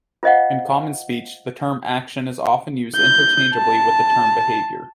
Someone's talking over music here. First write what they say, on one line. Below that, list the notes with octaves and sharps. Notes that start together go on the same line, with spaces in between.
In common speech, the term action is often used interchangeably with the term behavior.
F4 C5 D#5 F5 F#5
G6
A5